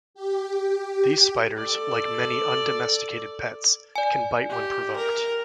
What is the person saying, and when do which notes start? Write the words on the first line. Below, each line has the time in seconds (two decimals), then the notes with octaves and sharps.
These spiders, like many un-domesticated pets, can bite when provoked.
0.14 G4
1.57 A4 D5
3.96 D5 G#5
4.50 G4
4.96 A#4